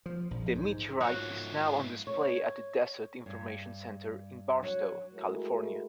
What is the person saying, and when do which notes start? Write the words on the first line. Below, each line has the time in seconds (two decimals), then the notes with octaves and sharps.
The meteorite is now on display at the Desert Information Center in Barstow, California.
0.06 F3
0.31 A#1
0.55 G#2
1.01 G#2 F4 F#4 C#5
2.07 C#5
3.26 G2
4.63 F#3
5.14 G#3 A3 E4 F#4 A#4